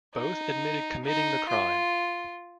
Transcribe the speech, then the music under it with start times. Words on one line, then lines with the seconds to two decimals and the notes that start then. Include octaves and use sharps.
Both admitted committing the crime.
0.16 D#4
1.06 D#4
1.50 F4